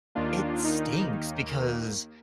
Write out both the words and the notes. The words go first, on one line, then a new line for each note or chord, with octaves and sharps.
It stinks because
D#2 D#3 A#3 D4 F4
D#4